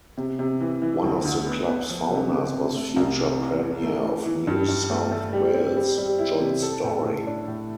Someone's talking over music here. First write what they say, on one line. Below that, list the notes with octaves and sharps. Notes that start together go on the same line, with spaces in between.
One of the club's founders was future Premier of New South Wales, John Storey.
C3
C3
E3
E3
D2
D2
B3
B3
F3
C3
C3
C3
A3
C2
C3
E3
E3
A3
E3
E3
G2
G2
A3
A3
G3
C4
G3
G3
E4
C3
A4
A2
A2
D4
A2